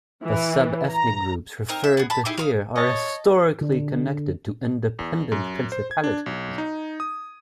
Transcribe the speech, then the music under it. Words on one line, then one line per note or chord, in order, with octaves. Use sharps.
The subethnic groups referred to here are historically connected to independent Principalities.
E3
A#5
C4 D#4 A#4
E5
B3 G#4
A5 B5
D#4 E4 G4 G#4
F5 C6 D#6
C#5 D#5 A5
D3
E2
F#2
C5
G#6
D4
B1
D#4
D#6